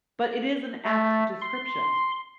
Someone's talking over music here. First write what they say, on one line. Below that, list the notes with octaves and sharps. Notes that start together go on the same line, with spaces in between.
but it is an apt description,
A3
C6